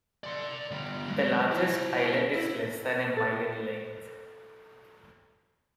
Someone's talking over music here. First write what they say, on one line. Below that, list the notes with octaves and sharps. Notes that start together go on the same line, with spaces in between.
The largest island is less than a mile in length.
D5 C6
D3 G3
F#3 G#3
E4 C5
E4
A4 A6